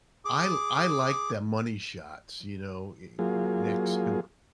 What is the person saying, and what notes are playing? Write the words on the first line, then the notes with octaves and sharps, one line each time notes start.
I I like the money shots, you know, eh, next to
G#4 D6
F#3 A#3 F4 G#4